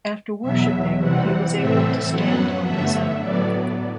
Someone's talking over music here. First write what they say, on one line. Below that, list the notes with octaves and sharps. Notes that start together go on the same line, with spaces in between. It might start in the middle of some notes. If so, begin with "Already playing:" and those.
After worshiping, he was able to stand on his own.
E2 B2 F#3 E5
C3 E3 G3 C4 F#5
A2 E3 A3 C4 E5
F#2 F#3 B3 F#5
G2 D3 A3 E5
A2 F#3 B3 D5